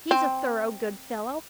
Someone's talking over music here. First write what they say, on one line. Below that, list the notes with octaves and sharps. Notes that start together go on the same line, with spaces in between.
He's a thorough good fellow.
C4